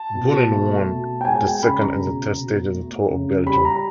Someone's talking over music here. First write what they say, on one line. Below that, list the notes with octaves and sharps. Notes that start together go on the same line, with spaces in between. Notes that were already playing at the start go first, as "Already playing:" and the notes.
Boonen won the second and the third stages of the Tour of Belgium.
Already playing: A5
B2
A3
B2
G5
G#3 G#5
G#5
G5
C#3 B5
A#5
B2
B2
A3
C#3
G3 B5
A#5